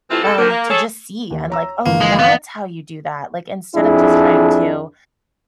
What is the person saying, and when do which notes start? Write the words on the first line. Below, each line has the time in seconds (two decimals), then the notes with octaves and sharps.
um, to just see and like, "Oh, that's how you do that." Like, instead of just trying to
0.10 E3 G3 A3 C4 E4 F4
0.24 F2 A4
0.38 D3 D#3 F3 A#3
0.50 A#3
0.70 G#4 A4 C#5
1.31 D#2
1.50 C#5 A#5 E6
1.86 G1 E3 F3 A#3
2.01 G#3
2.19 B3 F5
3.75 F2 D4 E4 G#4